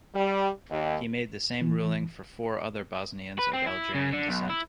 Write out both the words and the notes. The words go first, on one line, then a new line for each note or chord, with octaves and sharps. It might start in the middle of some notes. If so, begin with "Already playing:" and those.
He made the same ruling for four other Bosnians of Algerian descent.
G3
D#2
E3
B4
C4
E4
C#3
D3
B1
E4